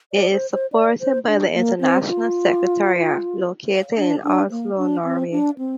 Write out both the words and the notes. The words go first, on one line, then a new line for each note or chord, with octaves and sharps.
It is supported by the international secretariat, located in Oslo, Norway.
D5
C5
C5
D5
C5
D4
A#3
C4
F4
D4
D4
A#3
D4
C4
D4
C4